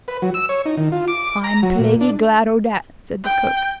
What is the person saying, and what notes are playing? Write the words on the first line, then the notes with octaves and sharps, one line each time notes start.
"I'm plaguy glad o' dat," said the cook.
B4
F#3
E6
C#5
D#4
D#3
F4
D6
A#5
F#3
A#2
D4
G5